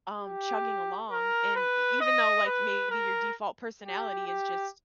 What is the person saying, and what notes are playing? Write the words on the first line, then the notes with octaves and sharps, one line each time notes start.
um, chugging along and e even though like maybe your default personality is just,
G4
A#4
B4
D#5
B4
A#4
G4
G4